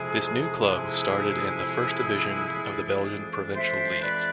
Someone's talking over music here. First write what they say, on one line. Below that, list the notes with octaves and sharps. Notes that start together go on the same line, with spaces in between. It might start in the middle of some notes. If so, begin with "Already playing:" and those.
This new club started in the first division of the Belgian Provincial leagues.
Already playing: F2 C3 F3 G#3 E4 G#4
E4
F4
E4 G#4
F2 E3 G#3 D4
C5 E5
B4 D5